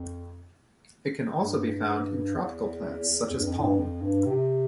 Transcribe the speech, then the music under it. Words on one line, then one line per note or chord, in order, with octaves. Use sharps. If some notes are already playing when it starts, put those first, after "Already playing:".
It can also be found in tropical plants such as palm.
Already playing: F2
G2
E2
E2
G2
F2
A2
G2
F2
G2
C3